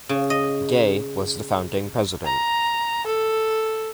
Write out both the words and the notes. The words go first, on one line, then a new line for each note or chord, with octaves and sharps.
Gay was the founding president.
C#3
D#5
A#5
A4